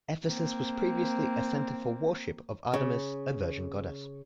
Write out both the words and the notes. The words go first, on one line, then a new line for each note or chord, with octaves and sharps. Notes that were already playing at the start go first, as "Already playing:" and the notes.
Ephesus was previously a centre for worship of Artemis a virgin goddess.
A#3 C4
C#3